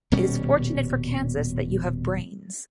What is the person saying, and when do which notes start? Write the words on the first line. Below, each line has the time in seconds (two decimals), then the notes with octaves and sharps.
It is fortunate for Kansas that you have brains.
0.12 D#1 B2 G3 C#4